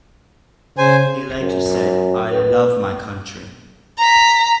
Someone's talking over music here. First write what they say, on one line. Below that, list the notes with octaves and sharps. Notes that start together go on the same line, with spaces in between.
He later said, I love my country.
C#3 C5 G#5
F#2
B4
A#5 B6